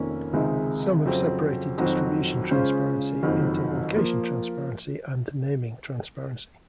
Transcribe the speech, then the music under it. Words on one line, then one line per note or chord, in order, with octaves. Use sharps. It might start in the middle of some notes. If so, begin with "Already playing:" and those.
Some have separated distribution transparency into location transparency and naming transparency.
Already playing: F1 F2 D#3 A#3 C#4
C#2 C3 D#3 G#3 D#4
F2 C#3 F#3 C4
F2 D#3 F#3 C4 F#4
C#3 G#3 C#4 F4 C5
F#1 F2 D#3 F#3
F3 A#3